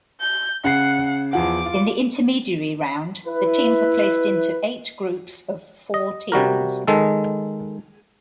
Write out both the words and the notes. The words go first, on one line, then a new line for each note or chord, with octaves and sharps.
In the intermediary round, the teams are placed into eight groups of four teams.
G6
C#3 F#5 C7
E2 F3 F#5 D6
F4
E4 B4
D#5
C3 G3 F#4 A#4
D#3 G#3 A4